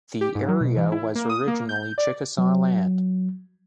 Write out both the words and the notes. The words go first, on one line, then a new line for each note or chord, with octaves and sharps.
The area was originally Chickasaw land.
G4
G#2
F#3
B2
E3
E4
A#3
D#6
A#3
G6
D5
F#3